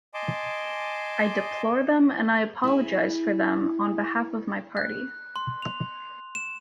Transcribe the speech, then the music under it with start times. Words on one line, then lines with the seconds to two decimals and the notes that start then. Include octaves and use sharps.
I deplore them and I apologise for them on behalf of my party.
0.14 D#5 G#5 A5 C6 D6
2.64 E4 G#4
4.77 F#6
5.36 C6
5.62 F7
6.35 E7